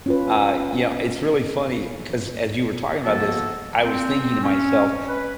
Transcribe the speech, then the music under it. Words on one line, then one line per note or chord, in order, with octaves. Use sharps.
uh, you know, it's really funny, 'cause as you were talking about this, I was thinking to myself,
C#4 F4 B4
F3 A#3 B3 F#4 A4
C4
C#4
B4